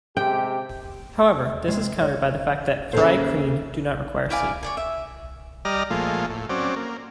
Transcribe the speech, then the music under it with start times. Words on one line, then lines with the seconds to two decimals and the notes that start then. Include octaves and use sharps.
However, this is countered by the fact that thri-kreen do not require sleep.
0.17 C3 G#3 G4 G5
1.67 C3 G#3
2.01 C#5
2.93 D#2 C#3 G#3 G#4 A4 C5
4.30 E4 D5 F5 G#5
4.63 C#5 D5 G#5
4.77 E5
5.65 G3 D5 D#5 A#5 F6
5.90 A#2 F3 G#3 A3 F4
6.30 A2
6.50 F#3 C4 C#4 D5
6.76 A#3